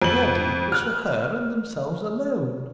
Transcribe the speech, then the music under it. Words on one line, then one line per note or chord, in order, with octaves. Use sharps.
Their deed was for her and themselves alone.
F2 F#7
F6 F#6